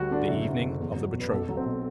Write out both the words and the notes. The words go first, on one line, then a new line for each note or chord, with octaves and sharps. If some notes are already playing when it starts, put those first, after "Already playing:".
The Evening of the Betrothal.
Already playing: D2 G3 F#4
D3 D4
F#1 E4
F#3
F#2
E2
F#3
B2
B4
B1 A4
F#3
C4
B2